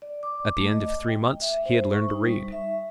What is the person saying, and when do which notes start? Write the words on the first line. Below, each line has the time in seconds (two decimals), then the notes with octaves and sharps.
At the end of three months he had learned to read.
0.02 D5
0.23 D6
0.58 A3
0.72 D#5
1.08 G5
1.42 E5
1.66 C5
1.93 C#6
2.09 D#4
2.25 G3
2.52 E5